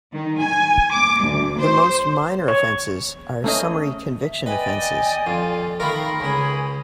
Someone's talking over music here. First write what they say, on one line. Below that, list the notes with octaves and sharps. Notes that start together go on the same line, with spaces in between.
The most minor offences are summary conviction offences.
D#3
G#5
D6
D2
C5
C#5
A3 C#4 D#5
E5
B4 D5 D#5 G5 G#5
F2 F4
D#3 A3 F4 A#4 F5 G5 B5
C#2 C#3 G#4 G#5 B5